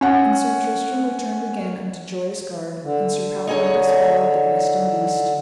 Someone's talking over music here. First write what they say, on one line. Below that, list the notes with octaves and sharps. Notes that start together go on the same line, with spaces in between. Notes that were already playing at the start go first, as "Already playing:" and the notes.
And Sir Tristram returned again unto Joyous Gard, and Sir Palomides followed the Questing Beast.
C#4 F#5
D3
D#4 G#4 C#5